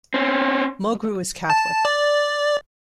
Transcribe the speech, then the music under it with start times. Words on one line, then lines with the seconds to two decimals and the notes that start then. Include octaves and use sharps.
Mulgrew is Catholic.
0.14 C4 C#4
1.50 A5
1.85 D5